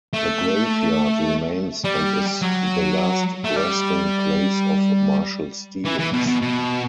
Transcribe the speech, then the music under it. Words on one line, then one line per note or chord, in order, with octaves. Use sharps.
The graveyard remains and is the last resting place of Marshall Stevens.
A3
G3
F#3
A3
G3
E3
E3
B2
B2
B2